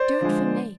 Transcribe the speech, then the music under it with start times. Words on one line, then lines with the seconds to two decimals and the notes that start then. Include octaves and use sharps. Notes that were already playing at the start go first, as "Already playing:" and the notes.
Do it for me....
Already playing: C5 D5
0.21 D3 F3 G#3